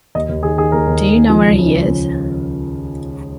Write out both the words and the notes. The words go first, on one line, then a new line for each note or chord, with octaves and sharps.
Do you know where he is?
D#2 D#5
D#2
D#3 G#4
D#3 G#4
D#2 A#4
D#2
D#3
D#3
F3
C#2
C#3